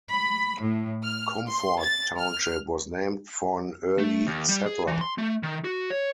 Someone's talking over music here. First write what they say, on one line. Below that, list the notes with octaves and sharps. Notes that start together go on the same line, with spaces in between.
Comfort Township was named for an early settler.
B5
A2
F6
C6
A6
F6
A3
D#2
G3
G#4
E3
C6
A3
D#3
F#4
C#5